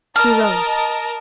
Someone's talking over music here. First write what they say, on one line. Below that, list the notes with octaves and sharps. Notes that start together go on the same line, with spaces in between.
He rose.
A#4 D#5 A5 F6